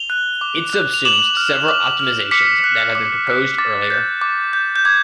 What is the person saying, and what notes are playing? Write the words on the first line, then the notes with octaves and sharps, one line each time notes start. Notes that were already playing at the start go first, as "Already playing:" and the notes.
It subsumes several optimizations that have been proposed earlier.
Already playing: F7 G7
F#6
D6
F#6
F7
D6 E7 F#7
F6
D6
F6
D6 B6 C#7
F#6
D6
F#6
D6 A6
G6
D6
G6
G6
D6 G#6